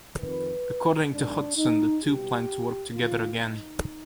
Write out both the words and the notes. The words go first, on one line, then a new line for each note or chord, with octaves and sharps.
According to Hutson, the two plan to work together again.
F2 D#3 B4
G#1 G#2 D#3 D4
D#4
C2 B2 G4
D#2 D3 F3 F4
D#4